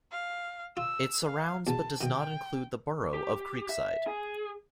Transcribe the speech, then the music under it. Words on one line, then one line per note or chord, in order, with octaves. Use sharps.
It surrounds but does not include the borough of Creekside.
F5
F4 E6
F5
E2 B2 A5
B2 D#3 G5
G4
E5
G#4